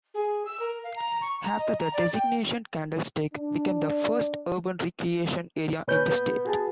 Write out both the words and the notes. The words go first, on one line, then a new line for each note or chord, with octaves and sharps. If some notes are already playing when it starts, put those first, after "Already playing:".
After the designation Candlestick became the first urban recreation area in the state.
G#4
E6
A#4
F5
A#5
C#6
A#5
D#5
A#5
D5
G5
D4
A#2 C#4 B4 G6
B3
F#4 G#4 A5